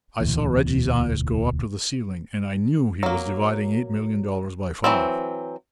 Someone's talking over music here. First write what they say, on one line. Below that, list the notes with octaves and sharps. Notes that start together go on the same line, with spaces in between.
I saw Reggie's eyes go up to the ceiling and I knew he was dividing eight million dollars by five.
E1 D2 A#2 E3
F#3 A#3
E3 F#3 C4